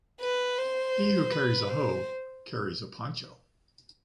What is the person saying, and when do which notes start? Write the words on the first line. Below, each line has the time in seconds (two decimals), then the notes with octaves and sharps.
He who carries a hoe, carries a poncho.
0.21 B4
0.58 C5
1.32 B4
1.69 C5